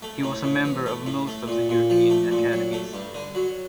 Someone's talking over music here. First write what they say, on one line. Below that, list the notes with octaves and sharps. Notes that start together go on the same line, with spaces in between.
He was a member of most of the European academies.
A3
A2
A2
E3
A3
A2
A3
A#2
A#2
F3
A3
A#2
F#3
A3
G2
D3
F#3